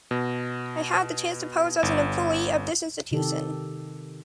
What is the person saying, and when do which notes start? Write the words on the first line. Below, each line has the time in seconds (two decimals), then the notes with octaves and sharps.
I had the chance to pose as an employee of this institution.
0.11 B2
1.83 G1
3.11 C3 D#3 G4 A4